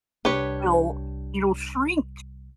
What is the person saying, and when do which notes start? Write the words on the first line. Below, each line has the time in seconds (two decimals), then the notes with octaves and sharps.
will it'll shrink
0.25 C2 D4 G4 B4 C#5